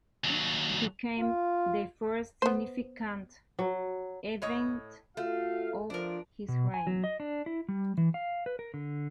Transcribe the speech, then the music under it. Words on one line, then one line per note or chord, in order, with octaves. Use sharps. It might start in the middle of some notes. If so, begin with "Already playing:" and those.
This became the first significant event of his reign.
D#2 F#3
F4
B3 C5
F#3
A2 C#5 D#5
A3 F4 F#4 F5
F3 D4 A#4
B2
G#5
F#3
D#5
D4
E4
G3
E3
F5
B4
A#4
D3